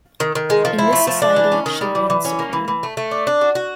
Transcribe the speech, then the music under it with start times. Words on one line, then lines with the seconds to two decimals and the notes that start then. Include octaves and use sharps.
In this society, she reigns supreme.
0.20 D#3
0.35 D#3
0.50 G#3
0.65 F3
0.79 E4
0.93 A3
1.07 F3
1.22 D4
1.36 E3
1.52 C#4
1.66 D#3
1.81 G3
1.95 E3
2.10 E3
2.25 C#4
2.39 A#3
2.53 E3
2.68 E3
2.83 A3
2.97 A3
3.11 D4
3.27 D4
3.41 F#4
3.55 F#4